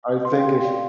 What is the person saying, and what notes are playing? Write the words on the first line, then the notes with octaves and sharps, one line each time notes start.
I think i
G4 C6
F5
G5
G4
F5
D5 F5